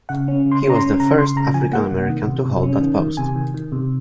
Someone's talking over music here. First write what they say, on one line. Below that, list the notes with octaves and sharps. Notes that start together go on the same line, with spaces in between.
He was the first African American to hold that post.
C#3 F#5
C#4
C#3
C6
C#4
A#5
C6
C#4
C#3 A#5
C#3 C6
C#3 A#5
F3 G#5
A#3 F#5
C3
D#3
C3
C3
C#4
D#3
D#3
C3 G#5
D#3
D#3
C3